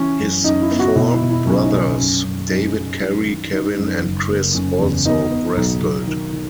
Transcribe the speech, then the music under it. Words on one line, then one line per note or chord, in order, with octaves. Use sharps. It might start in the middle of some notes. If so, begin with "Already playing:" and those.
His four brothers, David, Kerry, Kevin and Chris, also wrestled.
Already playing: E3 C#4
F#2
F#2 D#4
E4
B3
F#4
B2 E4
E4
B2
E4
B1 C#4
D#4
B1 C#4
F#2
F#2
F#2 D#4
F#2
F#2 E4
D#3
D#3 D#4
F#2
F#1
A#3
F#1 C#4
E2
B3 D#4
B3
B1
B1
D#3
D#3